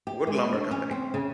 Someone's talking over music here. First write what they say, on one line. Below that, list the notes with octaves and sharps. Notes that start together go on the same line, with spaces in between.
Wood Lumber Company.
G4
G#3
D4
C#4
C4
C#3